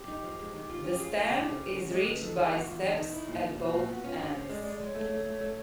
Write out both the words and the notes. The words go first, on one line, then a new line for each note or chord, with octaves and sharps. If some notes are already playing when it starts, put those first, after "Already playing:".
The stand is reached by steps at both ends.
Already playing: G4
D#4
F3
G#3
D#3
F4
C#4 G4
F4 G#4
G#3 G#4
C#3 G4
C#3
C#4
C#4 F#4
G#3 G4
C#3 B4
D#3 A4
D#3 G#4
E2 F#4
E2 F4
E2 D#4
D4
D#3 D#4
E4
A#2
G3
A#2 F#4
A#2
B3 F#4
C#4 F4
G2 F#4
C#4 C5
G#3 D5
G#3 D5
G#3 C#5
A3
A3
A3
A3